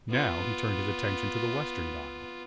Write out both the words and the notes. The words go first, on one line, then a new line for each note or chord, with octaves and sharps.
Now he turned his attention to the western dial.
B3 F4